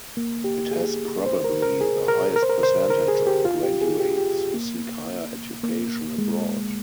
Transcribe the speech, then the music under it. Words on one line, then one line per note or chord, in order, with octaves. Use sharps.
It has probably the highest percentage of graduates who seek higher education abroad.
A#3
G4
G#4
C5
A#4
A#4
G#4
A#4
A#4
C5
A#4
C5
A#4
G#4
G4
F4
G4
G#4
G4
G4
A#3
A#3
G#3